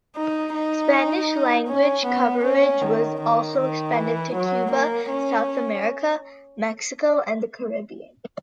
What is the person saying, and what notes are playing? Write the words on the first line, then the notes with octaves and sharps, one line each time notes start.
Spanish Language coverage was also expanded to Cuba, South America, Mexico and the Caribbean.
D#4
D#4
C#4
B3
C#4
D#3
D#3
D#3
E3
F#3
A#3
C#4